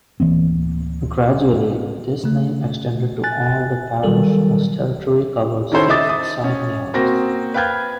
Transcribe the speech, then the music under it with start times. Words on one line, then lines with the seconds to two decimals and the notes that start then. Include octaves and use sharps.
Gradually, this name extended to all the parish whose territory covered six seigniories.
0.20 D1 E3 A#3 C4
2.24 C#3 A3
3.24 G#5 F#6 A6
4.03 D#3 F#3 G3 A4 A#4
5.72 D#3 C#4 E4 A4 C5 C#5
5.89 D#5 E5 D6 D#6 A6
6.09 D#6
6.44 C#4
6.94 A#3 C4 F#4 A#6
7.54 B4 F5 G5 F6 G6 G#6